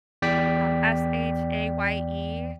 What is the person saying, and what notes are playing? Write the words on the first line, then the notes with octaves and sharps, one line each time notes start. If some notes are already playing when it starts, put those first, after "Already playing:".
Um, S-H-A-Y-E,
E2 D5 G5 B6